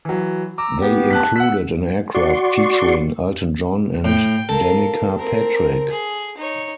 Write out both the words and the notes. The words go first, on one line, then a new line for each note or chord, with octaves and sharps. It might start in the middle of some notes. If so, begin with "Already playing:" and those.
They included an aircraft featuring Elton John and Danica Patrick.
E3 F#3
A#5 D6 E6
B3 G4
A5 F#6 B6
F#5 E6 F#6 B6
F#4 D5 C6 C#6
A2 G5
A4 A#4 F5
C4 A#4
G#4
D#4 C#5